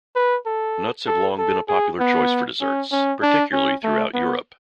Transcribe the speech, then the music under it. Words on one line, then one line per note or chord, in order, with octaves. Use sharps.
Nuts have long been a popular choice for desserts, particularly throughout Europe.
B4
A4
A4
A4
G#4
B3
C#4
C#4
D4
C#4
A3
B3